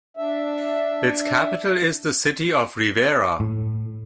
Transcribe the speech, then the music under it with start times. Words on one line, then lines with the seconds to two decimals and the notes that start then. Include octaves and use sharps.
Its capital is the city of Rivera.
0.17 D4 E5
3.40 A2